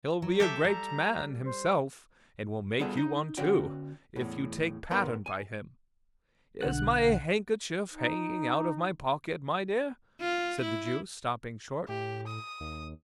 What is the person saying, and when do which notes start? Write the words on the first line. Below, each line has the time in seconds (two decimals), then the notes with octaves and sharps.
He'll be a great man himself, and will make you one too, if you take pattern by him.--Is my handkerchief hanging out of my pocket, my dear?' said the Jew, stopping short.
0.22 F#3
0.40 G4 A4 E5 D6
0.65 G3 A#5
1.44 C5
2.79 G3 B3 F4 G#4 A4
2.97 D#4
3.37 D3 C#4 F#4 G5
4.16 E2 A2
4.91 G#2 B3 A#4 A#5 C6
5.26 G#5
6.61 B1 D3 F#5 F#6
7.93 D#4
10.21 F4
10.62 E4
11.88 A2 G4
12.27 D#6
12.60 D#2